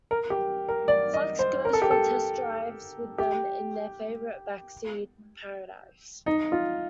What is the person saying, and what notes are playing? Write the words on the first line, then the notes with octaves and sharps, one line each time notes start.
Flex goes for test-drives with them in their favorite backseat paradise.
A#4
G4
A#4
D5
D#5
C5
A#4
A4
G4
A4
G4
D#4
F4